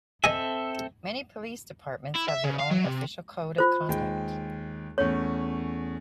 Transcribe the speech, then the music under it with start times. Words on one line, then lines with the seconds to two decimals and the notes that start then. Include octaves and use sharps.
Many police departments have their own official code of conduct.
0.24 C4 A4 D#5 E5 G#5
2.15 E4
2.28 E5
2.44 C#3
2.59 F5
2.71 F#3
2.85 C3
3.58 F4 C5
3.89 D#2 G#3 G5
4.98 E2 A3 C#4 C#5